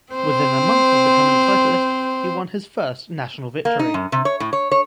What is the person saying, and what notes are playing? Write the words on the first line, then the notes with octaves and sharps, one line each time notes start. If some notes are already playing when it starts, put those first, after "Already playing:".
Within a month of becoming a cyclist, he won his first national victory.
C4 C5
A#3
D#4
F#2
C3
C#5
A2
C#5
C#5